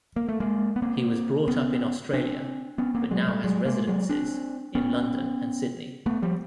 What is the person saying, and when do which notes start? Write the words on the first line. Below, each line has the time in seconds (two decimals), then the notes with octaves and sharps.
He was brought up in Australia, but now has residences in London and Sydney.
0.16 A#3
0.29 A3
0.40 G#3 A#3
0.76 B3
0.82 A#3 C4
1.48 B3 C#4
2.13 C4 D4
2.78 B3 C#4
2.95 A#3 C4
3.11 F#3 G#3
3.28 G3 A3
3.44 F#3 G#3
3.65 G#3 A#3
3.87 F#3 G#3
4.09 C4 D4
4.75 B3 C#4
6.06 A3 B3
6.22 F3 G3